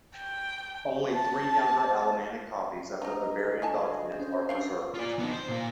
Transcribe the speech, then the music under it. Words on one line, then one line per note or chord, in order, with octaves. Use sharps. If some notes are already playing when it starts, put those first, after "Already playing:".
Only three younger Alemannic copies of the Bavarian document are preserved.
G5
A5
D4 D#4 D#5 A#5
D2 G#4 A4 D#5
D3 G#5 A5
C#4 C5
C#4 D4 F5 C7
F4 D5
B3 D#4
C5
A#2 F5